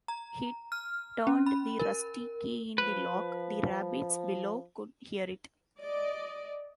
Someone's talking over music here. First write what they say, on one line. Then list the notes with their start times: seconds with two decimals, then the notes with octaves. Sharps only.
He turned the rusty key in the lock; the rabbits below could hear it.
0.08 A#5
0.72 F6
1.27 C#4
1.46 B5
1.80 A#4
2.78 F3 B4
5.80 D5 D#5